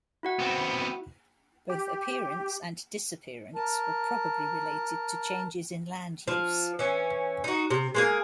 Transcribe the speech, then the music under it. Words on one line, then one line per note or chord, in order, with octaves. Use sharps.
Both appearance and disappearance were probably related to changes in land use.
E4 F#4 F#5
B3 C4
G4
A#4 A5
F3
E3 C#4
D#4 F#4
C3
G#3 A#3 G#4